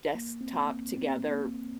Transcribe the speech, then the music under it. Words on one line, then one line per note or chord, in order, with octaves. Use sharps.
desktop together,
A#3
C4
A#3
C4
A#3